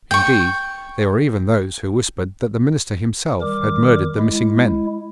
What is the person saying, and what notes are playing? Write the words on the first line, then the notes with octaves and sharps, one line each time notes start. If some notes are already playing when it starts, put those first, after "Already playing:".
Indeed, there were even those who whispered that the minister himself had murdered the missing men!
G5 C#6
D#3 G3 A#4 D6
G#3 E4